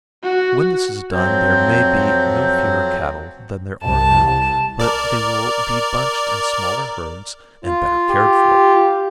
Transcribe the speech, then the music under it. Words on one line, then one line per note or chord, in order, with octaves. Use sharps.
When this is done there may be no fewer cattle than there are now but they will be bunched in smaller herds and better cared for.
F#4
F2 F#3 C4 G6
C2 A5
A#4 D5
F4
G4